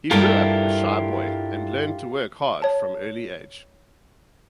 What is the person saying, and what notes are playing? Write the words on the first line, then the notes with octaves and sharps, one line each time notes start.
He grew up a shy boy and learned to work hard from early age.
G2 E4 F4 G4 A4 A#4
C#5 A5